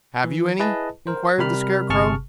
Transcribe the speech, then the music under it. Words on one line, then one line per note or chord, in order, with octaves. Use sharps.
"Have you any?" inquired the Scarecrow.
E3
E4 G#4 B4 D#5 A5
A#4 C5
C3 G3 A#4 B5 F6
G1 C3 G#4 A5 C#6 F6